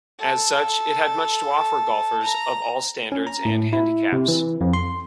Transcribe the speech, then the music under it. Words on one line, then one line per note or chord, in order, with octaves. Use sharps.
As such, it had much to offer golfers of all standards and handicaps.
A4
A#5
C#4
A#5
A2
E4
C3
E3
F2
C6